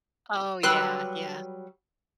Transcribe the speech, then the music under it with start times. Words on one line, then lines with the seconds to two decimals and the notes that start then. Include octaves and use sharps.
Oh, yeah, yeah.
0.63 F#3 G3 B4 C6 E6 F#6